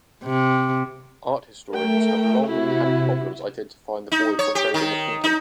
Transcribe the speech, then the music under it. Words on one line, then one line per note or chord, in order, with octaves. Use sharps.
Art historians have long had problems identifying the boy portrayed in the painting.
C3
A3 A#4 G5
C3 E4 F#4
D#4
C#5
G4
D#3
D#4